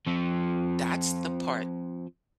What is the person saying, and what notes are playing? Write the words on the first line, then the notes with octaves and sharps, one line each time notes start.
that's the part
F3 C4